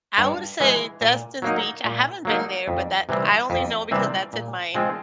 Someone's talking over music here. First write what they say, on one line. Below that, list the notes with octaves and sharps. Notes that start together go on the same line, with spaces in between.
I would say Destin Beach, I haven't been there, but that I only know because that's in my
G2
E3 G#3
A#2
F#3 A#3 D#4
A#2
F#3 A#3 D#4
F2
C3 E3 G3 C4
F2
C3 E3 G3 C4
A#2
F3 G#3 C4 F4